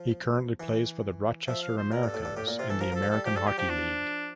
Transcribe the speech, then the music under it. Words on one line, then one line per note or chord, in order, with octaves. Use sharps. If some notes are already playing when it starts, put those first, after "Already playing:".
He currently plays for the Rochester Americans in the American Hockey League.
Already playing: F3
E3
F3 E5
F5
C5
A#2 A#4
G2 A4
A2
G2 A4
A2 G4
A#2
C3 F4
E3 A4
F3 A#4
F3
A4
F3
G3 A4
F3 G4
G3 A4
G3 G4
F3 G4
D4